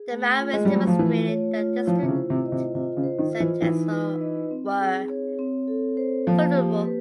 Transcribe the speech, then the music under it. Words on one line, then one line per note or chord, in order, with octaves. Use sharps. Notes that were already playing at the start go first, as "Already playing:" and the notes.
The Maoists demonstrated that district centres were vulnerable.
Already playing: G#4
A3
F4
G#3
G3 A3
F#3
F3
E3 F4
C#5
F4
F3 E4
C3
C#3
C5
C3
D#5
C3
C3 F4
C#3
C5
D#3
F4
E3
E3 D#4
B4
D#5
C4
G#4
C#5
C4
A4
C5
F3 A#3
G4
B4